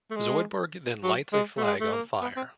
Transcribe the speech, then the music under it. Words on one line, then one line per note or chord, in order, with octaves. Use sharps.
Zoidberg then lights a flag on fire.
A3
G#3
F#3
G#3
A3
G#3
A3
A#3
B3
C4